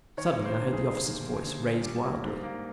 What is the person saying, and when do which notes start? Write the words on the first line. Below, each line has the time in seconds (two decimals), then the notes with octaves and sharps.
Suddenly I heard the officer's voice raised wildly.
0.17 D#3 C#5
0.38 A#3
0.45 C5
0.59 G2
0.73 G#4
0.80 G2
0.99 G1
1.20 G2
1.41 G1
1.62 G2
1.82 G3
2.03 A#3
2.23 G#2
2.43 A#3